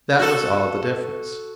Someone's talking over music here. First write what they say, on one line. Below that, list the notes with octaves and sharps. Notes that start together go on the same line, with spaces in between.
That was all the difference.
F#4 A4